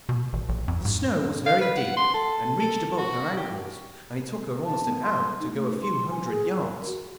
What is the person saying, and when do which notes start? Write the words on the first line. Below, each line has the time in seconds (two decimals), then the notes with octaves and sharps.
The snow was very deep, and reached above her ankles, and it took her almost an hour to go a few hundred yards.
0.09 B2
0.33 A1
0.49 A#1
0.68 F2
0.85 G#2
1.46 F5
1.61 B4
1.77 F#5
1.97 C6
2.14 A4
2.60 A4
2.98 F#4
3.37 G4
4.65 A5
4.86 B3
5.03 C6
5.40 D#4
5.54 A3
5.82 C6
6.11 G#5
6.29 G#4
6.60 A#4
6.87 F#4